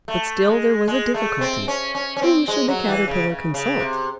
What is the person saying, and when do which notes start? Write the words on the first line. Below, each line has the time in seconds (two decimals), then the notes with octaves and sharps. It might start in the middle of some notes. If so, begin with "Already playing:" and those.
But still there was a difficulty--whom should the Caterpillar consult?
0.08 A3
0.48 G#3
0.88 G#3
1.14 A3
1.41 C4
1.68 C#4
1.95 C#4
2.16 C#4
2.22 C4
2.48 G#3
2.68 F#3
2.88 E3
3.08 C#3
3.27 C#3
3.54 C#3
3.80 C3